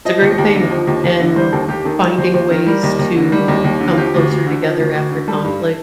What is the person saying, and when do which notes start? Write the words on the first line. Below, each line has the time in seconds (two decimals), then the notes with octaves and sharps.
it's a great thing, and, finding ways to come closer together after conflict
0.05 F3 D#5
0.22 D#2
0.38 D#2
0.55 D3
0.70 F3
0.87 D#2
1.04 D#2
1.20 D3
1.36 G3 C5
1.53 D#2 A4
1.69 D#2 G4
1.85 D#3 A4
2.02 G3
2.18 D#2 C5
2.34 D#2 C5
2.50 D#3 A#4
2.66 G3 A#4
2.83 D#2
2.99 D#2
3.16 D3
3.32 G3
3.48 D#2
3.65 D#2
3.81 D3
3.92 F4
3.97 F3 G4
4.14 D2
4.30 D2
4.46 D3
4.62 F3
4.79 D2
4.95 D2
5.12 D3
5.28 G3 A4
5.44 G2